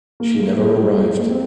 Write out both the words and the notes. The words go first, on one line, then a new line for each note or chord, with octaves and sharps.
She never arrived.
A#3
G#3
A3
G#3
G3
G#3
A#3
C4